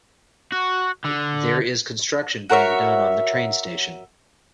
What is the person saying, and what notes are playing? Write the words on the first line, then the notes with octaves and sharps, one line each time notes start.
There is construction being done on the train station.
F#4
D3
F#4 A#4 C#5 E5